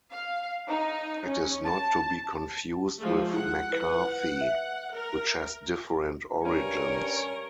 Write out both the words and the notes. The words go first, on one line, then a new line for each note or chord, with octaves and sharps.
It is not to be confused with McCarthy, which has different origins.
F5
D#4
C#4
A5
F3 G#3 A3
E4 F#5
B4
E5
A#4
G2 C#4 A#4 C#5